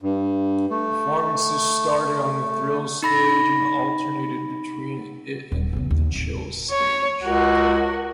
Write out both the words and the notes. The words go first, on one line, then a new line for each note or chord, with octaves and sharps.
Performances started on the Thrills stage and alternated between it and the Chills stage.
G2
A3
D#4 B5 A#6
D#1
E2 C#3
D#2
D1
C#5
C#2 F#4 A#4